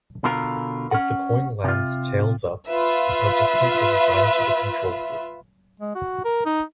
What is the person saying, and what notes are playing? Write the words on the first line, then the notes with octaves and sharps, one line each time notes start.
If the coin lands tails-up, the participant is assigned to the Control Group.
B2 D3 F4 A#4
C#4 F#5
C3 F4
F4 B4 E5
G#3
F#4
A#4
D#4